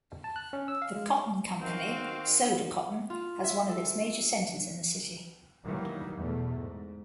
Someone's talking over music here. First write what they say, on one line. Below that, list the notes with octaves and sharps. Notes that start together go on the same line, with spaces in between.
The cotton company Sodecoton has one of its major centres in the city.
A5
F#6
C#4
E6
F5
G#3
D#3 C4 F#4 F5
F4
E5
A4
D#3 E3 F#3 G3 A#3
E2 B2 A3
G#2